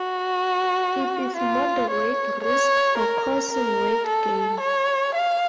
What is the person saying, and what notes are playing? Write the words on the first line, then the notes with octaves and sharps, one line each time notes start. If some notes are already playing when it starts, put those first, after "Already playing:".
It is moderate risk for causing weight gain.
Already playing: F#4
F4
C#5
C#5
A#4
A#4
A4
C#5
F5